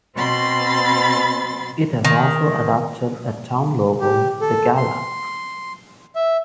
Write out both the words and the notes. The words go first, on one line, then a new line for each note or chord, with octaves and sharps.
It has also adopted a town logo, the galah.
B2 C4 B5 C6 A6
D#3
G4
A4
C6
E5